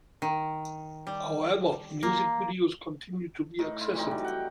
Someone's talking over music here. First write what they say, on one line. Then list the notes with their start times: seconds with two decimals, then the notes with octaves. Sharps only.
However, music videos continue to be accessible.
0.22 D#3
1.07 G3
2.03 A#3
3.59 A2 D#4
3.81 E4 F4
3.94 E3 G3 C4 D#4
4.11 F#3 G3
4.24 F#5 G5